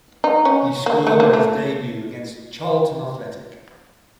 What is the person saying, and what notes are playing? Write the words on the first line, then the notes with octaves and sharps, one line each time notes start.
He scored on his debut against Charlton Athletic.
D#4
C#4
A#3
A3
A#3
A3